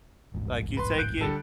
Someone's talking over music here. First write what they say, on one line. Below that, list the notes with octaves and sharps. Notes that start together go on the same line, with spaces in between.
like, you take it,
D1 A1 G#2
B4 C6
F#6 G6 D7
D3 G3 A4